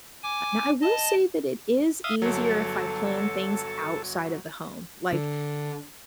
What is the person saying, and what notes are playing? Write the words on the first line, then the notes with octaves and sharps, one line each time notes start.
uh now I will say that it is easier if I plan things outside of the home, like
G#5 D6
D#5 A5
E5 F5 D#6
G1 F#3 A4
D3